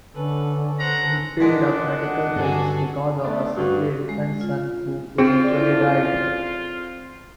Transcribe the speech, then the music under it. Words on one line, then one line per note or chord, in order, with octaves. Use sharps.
He piled up medical bills because of a sickly infant son who eventually died.
D3 C#4 A4 B4
C5 F#5 A#5
A#2 G#3 D4 D#5 F#5
G2 D3 F#4 G#4 A4
A3 B3 C4 D4
G2 F#4
G#3
F4
C4 F4 G#4